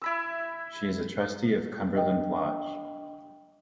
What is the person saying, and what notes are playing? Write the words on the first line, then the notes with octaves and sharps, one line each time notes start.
She is a trustee of Cumberland Lodge.
E4 B5 E6
D4 D#5 G5